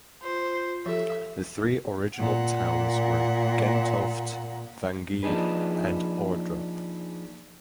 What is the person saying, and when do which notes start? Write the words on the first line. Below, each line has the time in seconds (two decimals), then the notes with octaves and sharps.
The three original towns were Gentofte, Vangede and Ordrup.
0.22 F4 C5
0.86 F3 G4 A4 E5
2.15 A#2 F#5
5.23 F3 A#3 D4 D#4 G#4 B4